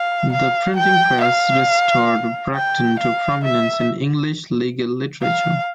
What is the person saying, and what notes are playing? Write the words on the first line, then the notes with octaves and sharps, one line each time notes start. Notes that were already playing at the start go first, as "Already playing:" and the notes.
The printing press restored Bracton to prominence in English legal literature.
Already playing: F5
F5
G5
F5
G5
F5
E5
F5